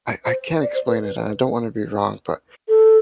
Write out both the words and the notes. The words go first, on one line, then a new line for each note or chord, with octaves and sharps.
I I can't explain it and I don't wanna be wrong, but
C5
D5
C5
B4
A4